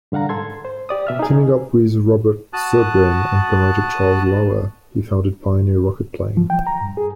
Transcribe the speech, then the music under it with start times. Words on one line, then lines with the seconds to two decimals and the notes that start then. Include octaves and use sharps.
Teaming up with Robert Zubrin and promoter Charles Lauer, he founded Pioneer Rocketplane.
0.12 G2 D3 F5 F#5 A#5
0.29 G#2 A4 C6 G#6
0.65 C5
0.89 G4 D5 D#6
1.07 B2 E5 F6
1.19 D#4 G#4
2.53 F#4 A5 D#6 F#6
6.37 F3
6.50 G5
6.67 A#5
6.81 G2
6.97 G#4